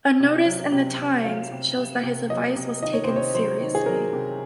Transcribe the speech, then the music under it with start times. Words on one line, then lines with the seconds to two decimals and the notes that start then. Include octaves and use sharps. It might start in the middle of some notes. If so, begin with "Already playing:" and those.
A notice in the "Times" shows that his advice was taken seriously.
0.20 C3
0.46 F#3
0.72 C3
0.98 C3
1.24 F#3 F5
1.51 C3
1.77 C3
2.03 C3
2.30 F#3 D#5
2.56 C3
2.82 D#3 D#5
2.93 C#5
3.04 C3 C5
3.16 C#5
3.34 F#3 C5
3.60 D#3
3.75 G#4
3.86 F#3 A#4
4.13 C3